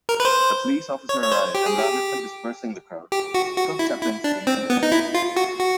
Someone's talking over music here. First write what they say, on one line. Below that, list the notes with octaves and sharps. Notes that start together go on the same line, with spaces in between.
A police officer arrived and, rather than dispersing the crowd, took Chaplinsky into custody.
A#4
B4
C5
C#5
C#5
C5
G4
G#4
G4
G4
F#4
F#4
E4
E4
D4
C4
B3
D#4
E4
F4
F#4
F#4